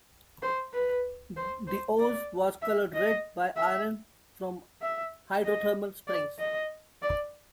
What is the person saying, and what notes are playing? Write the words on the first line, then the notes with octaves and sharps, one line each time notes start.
The ooze was colored red by iron from hydrothermal springs.
C5
B4
C5
C5
D5
E5
D#5
E5
E5
D#5
D5
D#5
D5